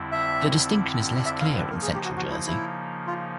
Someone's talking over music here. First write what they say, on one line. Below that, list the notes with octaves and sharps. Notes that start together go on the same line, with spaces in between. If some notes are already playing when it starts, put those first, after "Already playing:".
The distinction is less clear in Central Jersey.
Already playing: F2 D3 G3 C4 E4
E5
E5
F5
B4
C#3 F3 A#3 D#4 A#4
G#4
G4
F#4
F#4
E4
E4
F4